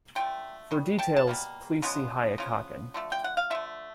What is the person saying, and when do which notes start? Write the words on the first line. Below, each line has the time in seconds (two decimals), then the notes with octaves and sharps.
For details, please see Hayakaken.
0.15 D3 F3 A3 G5
0.71 B2 G3
0.99 G5 A5
1.16 A5
1.27 B2 G3 A#3
1.82 C#3 F3 G#3 B3
2.38 C#3 F3 B3
2.94 D3 F3 A3
3.12 G5
3.24 F#5
3.37 F5
3.50 D3 F3 A3 E5